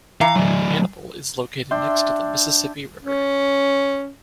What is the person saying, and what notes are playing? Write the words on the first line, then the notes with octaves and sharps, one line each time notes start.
Hannibal is located next to the Mississippi River.
E3 F5 A#5
F#3 A3
D4 E5 G5 C6
C#4